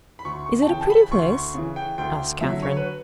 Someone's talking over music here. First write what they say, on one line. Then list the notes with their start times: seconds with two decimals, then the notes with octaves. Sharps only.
"Is it a pretty place?" asked Catherine.
0.19 B5
0.25 D2 C#6
0.46 C#6
0.62 A5
0.68 C#3 E3 G5
0.81 A5
0.90 B5
1.11 D2 C#6
1.33 C#6
1.54 C#3 E3
1.76 G5
1.98 D2 G5
2.41 D3 F#3 E5
2.63 C#5
2.77 B4